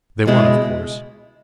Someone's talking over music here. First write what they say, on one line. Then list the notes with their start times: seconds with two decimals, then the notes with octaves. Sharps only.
They won, of course.
0.26 C#2 B2 G#3 E4